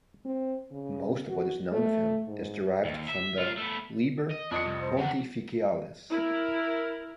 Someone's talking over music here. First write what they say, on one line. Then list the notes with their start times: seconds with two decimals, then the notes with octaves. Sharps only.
Most of what is known of him is derived from the "Liber Pontificalis".
0.25 C4
0.72 C#3
1.29 F#4
1.72 A3
2.28 G#2
2.85 D#2
3.08 E5
3.38 A3 F4
3.57 A3 B3
4.31 D#5
4.51 F2 D4 D#5 D#6 C#7
4.65 C2
4.81 C5
4.98 C3 D4 F#5
6.12 E4 A#4